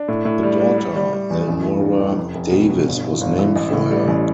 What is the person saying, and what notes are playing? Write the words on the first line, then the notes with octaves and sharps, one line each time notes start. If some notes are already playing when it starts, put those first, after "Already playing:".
The daughter Elnora Davis, was named for her.
Already playing: D4
A2
A2
G3
G3
G3
G3
G3
E2
A1
A2
G3
A1
F1
F1
B2
B2
G1
E3
G1
E3
A1
A2
G3
A1